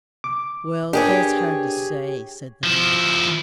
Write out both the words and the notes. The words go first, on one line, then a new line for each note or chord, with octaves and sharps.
"Well, that's hard to say," said the man.
D6
D4 G4 G#4 A#4 B4 C#5
F3 E4